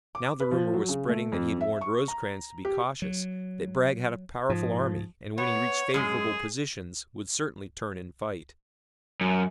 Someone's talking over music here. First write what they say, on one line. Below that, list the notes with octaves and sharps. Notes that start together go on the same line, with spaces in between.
Now the rumor was spreading that he had warned Rosecrans to be cautious, that Bragg had a powerful army and when he reached favorable positions, would certainly turn and fight.
D6
B4
F3
F#3
C#3
A3
F2
E5
C#6
A#5
G4
F#3
G#2 F3
B3 C#5
F#2 G#3 G#4
F#2